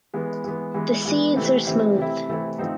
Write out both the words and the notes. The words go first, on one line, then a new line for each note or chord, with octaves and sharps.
The seeds are smooth.
E3 G#3 B3
E3 G#3 B3
E3 G#3 B3
E3 G#3 B3
C3 E3 A3 C4 E4
C3 E3 A3 C4 E4
C3 E3 A3 C4 E4
C3 E3 A3 C4 E4
F3 A3 C4 D#4